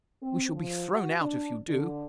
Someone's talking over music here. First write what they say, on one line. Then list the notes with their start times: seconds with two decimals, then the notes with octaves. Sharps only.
We shall be thrown out if you do!
0.22 C4
0.54 F3
0.92 F#4
1.22 D4
1.69 D3